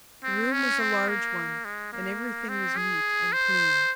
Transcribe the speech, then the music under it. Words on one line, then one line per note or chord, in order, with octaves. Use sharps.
The room was a large one and everything was neat and clean.
C4
C#4
C4
A#3
G#3
A#3
C4
G#4
C5